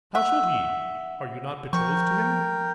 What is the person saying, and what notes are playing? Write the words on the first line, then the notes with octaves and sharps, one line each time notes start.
How should he? Are you not betrothed to him?
E5 F#5
F3 A#4 G5 C#6